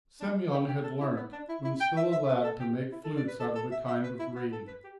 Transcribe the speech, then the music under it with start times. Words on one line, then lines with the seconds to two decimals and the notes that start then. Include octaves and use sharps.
Semyon had learnt when still a lad to make flutes out of a kind of reed.
0.21 D4
0.52 G4
0.68 G4
0.84 A4
1.00 E4
1.16 B3
1.32 D4
1.49 E4
1.64 E4
1.80 G5
1.97 E5
2.12 E5
2.28 B4
2.44 A4
2.60 G4
2.92 E4
3.04 A4
3.17 D5
3.27 B4
3.40 A4
3.55 A4
3.72 E5
3.88 E5
4.03 B4
4.19 E4
4.36 B3
4.52 A4
4.67 B4
4.84 G4